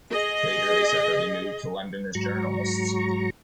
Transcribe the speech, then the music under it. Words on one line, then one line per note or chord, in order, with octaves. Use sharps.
Later they separately moved to London as journalists.
G#4 D#5
G#2 F#3 A#5 C#6